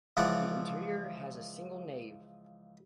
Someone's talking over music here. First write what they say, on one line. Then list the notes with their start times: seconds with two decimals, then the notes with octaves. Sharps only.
The interior has a single nave.
0.17 C#2 E3 F3 D5 F#5